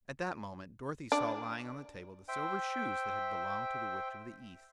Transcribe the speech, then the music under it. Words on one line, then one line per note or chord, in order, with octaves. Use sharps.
At that moment Dorothy saw lying on the table the silver shoes that had belonged to the Witch of the East.
D4
C5 E5 G5